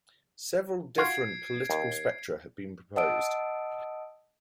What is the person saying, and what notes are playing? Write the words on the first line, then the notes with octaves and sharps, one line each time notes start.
Several different political spectra have been proposed.
F4 F#4 G#6 C7 D7
D#2
D#5 F#5 A5 D#6 E6 D7